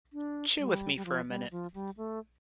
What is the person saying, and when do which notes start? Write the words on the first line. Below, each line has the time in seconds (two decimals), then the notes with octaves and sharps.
Chill with me for a minute.
0.13 D4
0.59 G3
0.97 G3
1.05 F3
1.28 G3
1.51 F3
1.74 G3
1.97 A3